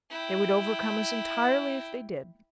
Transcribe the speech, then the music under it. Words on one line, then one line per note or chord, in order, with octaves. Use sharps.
They would overcome us entirely if they did.
E4 G5